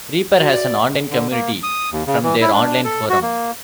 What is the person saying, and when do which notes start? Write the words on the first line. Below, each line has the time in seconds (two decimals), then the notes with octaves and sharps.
Reaper has an online community, from their online forum.
0.40 F#4
0.53 D5
1.11 D3
1.31 A#3
1.63 D#6
1.92 D#2
2.07 C#3
2.23 E3
2.41 E4
2.52 D4
2.84 A4
3.10 F#4
3.22 A#3